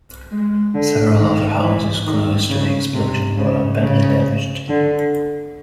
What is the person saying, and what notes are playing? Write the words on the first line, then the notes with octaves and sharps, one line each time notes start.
Several other houses close to the explosion were badly damaged.
G#3
D3
D#3
E3
D#3
C#3
C3
C#3
C#3
D3